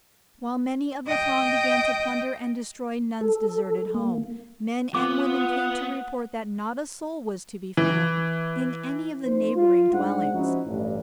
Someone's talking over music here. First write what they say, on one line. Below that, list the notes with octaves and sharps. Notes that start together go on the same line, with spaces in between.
While many of the throng began to plunder and destroy Nun's deserted home, men and women came to report that not a soul was to be found in any of the neighboring dwellings.
D#5 G5
A4
A#3
B3 F4 F#5 D6
E3
F2 D#4 C5
F4
G#2 D4 F#5
F3 C#4 D#4 E4 F#4
A1 G2